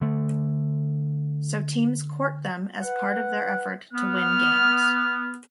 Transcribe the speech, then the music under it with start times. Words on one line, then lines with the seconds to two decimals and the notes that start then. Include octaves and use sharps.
So teams court them as part of their effort to win games.
0.01 D3 A3
2.82 B4 F#5
3.93 B3 F6